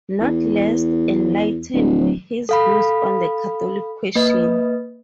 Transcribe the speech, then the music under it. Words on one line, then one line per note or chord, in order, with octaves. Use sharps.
Not less enlightened were his views on the Catholic question.
E2
D1
A4 F5 B5
A#3 B4 D#5